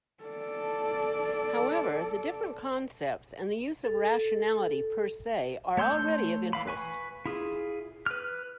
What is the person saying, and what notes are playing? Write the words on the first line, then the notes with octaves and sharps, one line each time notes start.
However, the different concepts and use of 'rationality' per se are already of interest.
A4 D5
A4
A3 C#5 C6 E6 G6
E3 F5 B5
B4 G#5 C#6
E4 F4 G#4
B4 F6